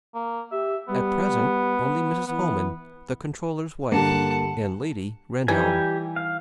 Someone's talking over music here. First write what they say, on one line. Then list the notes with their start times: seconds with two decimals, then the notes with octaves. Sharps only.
"At present only Mrs. Homan, the controller's wife, and Lady Rehnhjelm."
0.15 A#3
0.52 G4 E5
0.88 G3 B3
2.28 E3 B3
3.92 G2 D3 G3 A#3 F#5 A5
5.48 E3 G3 D#4 G4 G#5
6.16 F5